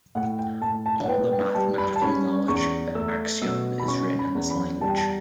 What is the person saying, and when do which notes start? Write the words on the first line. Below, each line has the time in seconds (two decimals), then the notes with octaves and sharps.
All the mathematical knowledge of Axiom is written in this language.
0.15 A2 F#5
0.39 G5
0.62 A2 A5
0.86 A5
1.04 F#5
1.08 B3 G5
1.32 G5
1.55 G3 A5
1.78 B5
1.96 A5
2.02 C#4 B5
2.48 E2 C#6
2.95 A3 E6
3.41 B2 E6
3.80 B5
3.88 C#4 C#6
4.19 B5
4.35 E2
4.51 B5
4.81 G3 A5
4.89 G5
4.97 A5